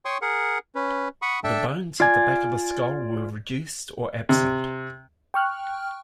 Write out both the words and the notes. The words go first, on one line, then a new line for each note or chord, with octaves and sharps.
The bones at the back of the skull were reduced or absent.
C#5 G5 C6 C#6 D#6
G#4 A#4 F#5
C#4 B4
F#5 B5 C#6 D#6
D4 A4 E5 G5 A5
F4 D5 G#5
C3
G5 C#6 F6 F#6